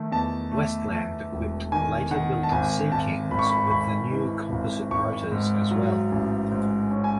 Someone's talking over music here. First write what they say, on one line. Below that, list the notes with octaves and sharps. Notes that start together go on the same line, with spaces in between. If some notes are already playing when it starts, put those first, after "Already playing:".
Westland equipped later-built Sea Kings with the new composite rotors as well.
Already playing: D#3 A3
E2 A5
A3
A3
E1
D#3 G#5
D#3 F#5
A5
G#1 G#5
G#1 A5
G#1 B5
C#6
B5
C#6
G#1 B5
E3
G#1
G#1 C#6
G#2
F#3
A1
G#2
C#4
G#5